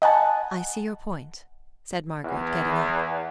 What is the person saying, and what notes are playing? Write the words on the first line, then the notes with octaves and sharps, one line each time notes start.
"I see your point," said Margaret, getting up.
D#5 F#5 G#5 A5
E2